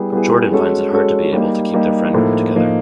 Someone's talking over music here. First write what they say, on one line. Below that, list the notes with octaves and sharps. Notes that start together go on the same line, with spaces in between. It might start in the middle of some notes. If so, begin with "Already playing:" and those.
Jordan finds it hard to be able to keep their friend group together.
Already playing: G3 B3 E4 G#4
G3 B3 E4 G#4
G#3 C#4 F#4 A4
G#3 C#4 F#4 A4
G3 A#3 D#4
G3 A#3 D#4
A2 F3 A#3 D#4
A2 F3 A#3 D#4